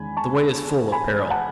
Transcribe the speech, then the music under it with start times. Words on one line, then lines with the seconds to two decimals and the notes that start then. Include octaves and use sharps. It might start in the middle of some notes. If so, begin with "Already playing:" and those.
The way is full of peril.
Already playing: E2 D#3 G#3 C#4 G#5 B5
0.17 A5 C#6
0.92 G#5 B5
1.31 F#5 A5